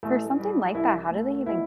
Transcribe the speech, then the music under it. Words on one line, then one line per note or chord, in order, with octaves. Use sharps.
for something like that, how do they even
A1 A3
G3
C2 E4
A3
B2 E4